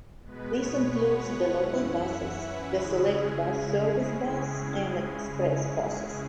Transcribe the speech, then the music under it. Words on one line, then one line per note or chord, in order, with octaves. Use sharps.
This includes the local buses, the Select Bus Service bus, and express buses.
B2 G#3 B3 B4
C#5
F#5
F#2 E3 C#4 E4 F#5
E5
B4
C#3 G#3 C#4 E4 G#4
G#4